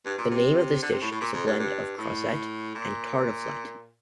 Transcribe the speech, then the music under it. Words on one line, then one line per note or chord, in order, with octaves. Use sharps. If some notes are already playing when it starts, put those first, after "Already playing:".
The name of this dish is a blend of "crozet" and "tartiflette".
G2
A#2
C3
D3
C3
A2
A2
A#2
F2
G2
G2
A2
A#2